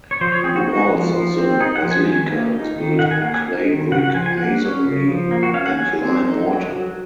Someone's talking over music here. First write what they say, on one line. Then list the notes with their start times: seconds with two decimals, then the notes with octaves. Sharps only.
The walls of the basilica was built in clay brick masonry and lime mortar.
0.11 C#5
0.21 F3 C5
0.32 C#5
0.44 C4 G#4
0.56 F#4
0.67 D#4 F#4
0.90 F3
1.14 F3
1.37 C4
1.60 D#4 G#4
1.76 F#5
1.83 F3
1.91 G#5
2.07 D#3 G#5
2.29 A#3
2.53 D#4
2.76 D#3
2.99 D#3 F#5
3.11 G#5
3.22 A#3 F#5
3.34 G#5
3.45 D#4
3.69 D#3
3.92 C#3 F#5
4.04 F#5
4.14 F3 G#5
4.26 G#5
4.37 A#3 F#5
4.61 C#4
4.85 C#3
5.07 F3
5.31 A#3
5.43 F#4
5.54 C#4 F5
5.66 F#5
5.77 F#3 G#5
6.00 C4
6.23 D#4
6.46 F#3
6.69 F#3